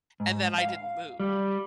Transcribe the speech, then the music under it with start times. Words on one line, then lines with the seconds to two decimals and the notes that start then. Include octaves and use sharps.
and then I didn't move.
0.20 G#2
0.58 F5
1.20 G3